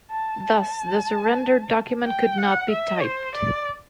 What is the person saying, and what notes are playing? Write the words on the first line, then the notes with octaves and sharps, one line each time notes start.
Thus the surrender document could not be typed.
A5
A5
G5
F#5
E5
C5
D5